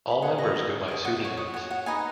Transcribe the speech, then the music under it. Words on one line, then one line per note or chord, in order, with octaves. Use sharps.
All members go by pseudonyms.
B5
D#4 G#4 C#5 F#5
D#5
G#4 C#5
G#4 C#5 D#5
F#5
F#4 C#5
D#6
F#4 C#5 G#5
F#5
D#4 B4 D#5 G#5